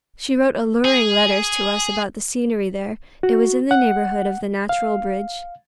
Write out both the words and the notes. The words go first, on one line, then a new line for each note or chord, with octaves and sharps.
She wrote alluring letters to us about the scenery there; it was in the neighborhood of the Natural Bridge.
G#4
F#4
F#5
F5